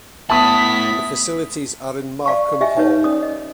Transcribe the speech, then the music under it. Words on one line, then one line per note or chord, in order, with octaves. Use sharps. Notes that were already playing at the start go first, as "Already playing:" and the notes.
The facilities are in Markham Hall.
A2 B3 E4 A5 D#6 B6
D5 F5 A5 C#6
G4 D#5 E5 G5 G#5
D#4 B4 C#5 A5
B4
C#4 D5 D#6
D#5